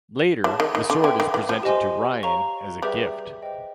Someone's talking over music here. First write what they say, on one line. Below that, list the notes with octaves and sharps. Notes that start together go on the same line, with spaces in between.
Later, the sword is presented to Ryan as a gift.
E3 G#4 C#5 E5 A5 D6
D#3
D#3
D3
D3 B4 E5 G5
D#3
E3
F3
G4 C5 D#5 G#5 C6
C#5 F5 A#5 C#6
G3 G#4 B4 E5
C5 D#5 G5